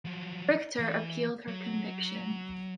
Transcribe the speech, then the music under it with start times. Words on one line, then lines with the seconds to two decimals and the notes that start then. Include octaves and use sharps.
Richter appealed her conviction.
0.05 F3 F#3
0.80 E3
1.48 F#3